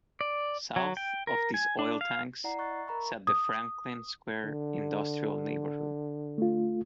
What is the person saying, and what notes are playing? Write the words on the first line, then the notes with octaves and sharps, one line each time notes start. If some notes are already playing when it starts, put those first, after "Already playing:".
South of these oil tanks sat the Franklin Square industrial neighborhood.
D5
F#3
G5
A#4
G#5
D4
F5
E4 D5 F#5 A#5 C7
D#5 C#6 F#6 A6
E5
A#4 A#5 B5 C#6
D#6
D3
A3 F4